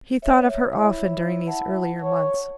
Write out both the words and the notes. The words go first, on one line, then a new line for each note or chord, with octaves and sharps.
He thought of her often during these earlier months.
C#5 E5
E4
F#5 A5
C#5